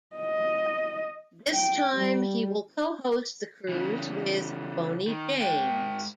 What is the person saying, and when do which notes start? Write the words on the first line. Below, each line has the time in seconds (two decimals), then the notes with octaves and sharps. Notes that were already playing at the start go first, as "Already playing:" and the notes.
This time, he will co-host the cruise with Boney James.
0.16 D#5
1.50 G5
1.95 G3
3.69 C#3 E3
5.08 D#3
5.41 G#2 G5